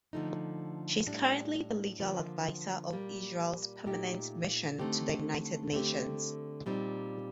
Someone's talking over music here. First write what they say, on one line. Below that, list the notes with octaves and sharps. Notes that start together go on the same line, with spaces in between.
She is currently the Legal Advisor of Israel’s Permanent Mission to the United Nations.
D3 F3 A3 D#4
A2 G3 D4
D3 F3 A#3
A#2 G3 A#3
A#2 A3 D#4 G4
D3 A3 C4 D#4 G4
D3 A3 C4 G4
A#2 G3 C4 D#4